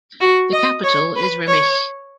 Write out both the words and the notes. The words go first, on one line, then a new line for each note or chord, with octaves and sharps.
The capital is Remich.
F#4
D#5
C#5
B4
C#5